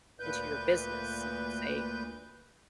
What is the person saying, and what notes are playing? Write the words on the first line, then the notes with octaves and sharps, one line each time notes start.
into your business. You could say,
D2 A#2 B4 G6